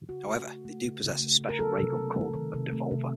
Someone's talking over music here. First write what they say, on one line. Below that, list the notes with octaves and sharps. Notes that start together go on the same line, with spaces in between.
However, they do possess a special raygun called a "devolver".
C#3 F#4
A3
C#3
A3
C#3
C#3
A3
C#3
A#4
F#3 A4
C3
F#3
A3
D#3
C3
A3
C3